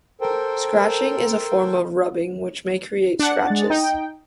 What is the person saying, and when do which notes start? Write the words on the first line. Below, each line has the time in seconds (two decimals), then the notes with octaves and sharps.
Scratching is a form of rubbing which may create scratches.
0.21 A4 A#4 C5 G5
3.19 D4 F#5
3.46 G#3 A6
3.70 D#4 G5